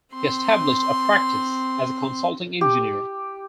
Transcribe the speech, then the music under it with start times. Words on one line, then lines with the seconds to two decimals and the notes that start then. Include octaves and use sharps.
He established a practice as a consulting engineer.
0.14 C4 C6
2.61 G4